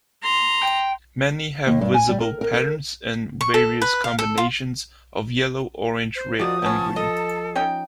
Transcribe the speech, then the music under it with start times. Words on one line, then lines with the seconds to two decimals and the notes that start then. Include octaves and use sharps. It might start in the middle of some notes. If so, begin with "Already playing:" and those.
Many have visible patterns in various combinations of yellow, orange, red and green.
0.22 A#5 C6
0.63 G5
1.67 D#2
1.81 G2
1.94 G#5
2.09 G3
2.21 A#4
2.41 A#4
2.53 A#4
3.41 C#6
3.54 A4
3.82 B4
4.04 F5
4.19 A4
4.38 F4
6.16 C5
6.39 D#3 F3 F#4 D5 D#6
6.62 B3 C#4 A5
6.96 A4 D#5
7.55 C#4 D#4 G5